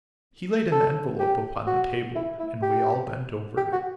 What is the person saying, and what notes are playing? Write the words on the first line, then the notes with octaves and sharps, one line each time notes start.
He laid an envelope upon the table, and we all bent over it.
A4
G4
F#4
E4
E4
G4
G4
F#4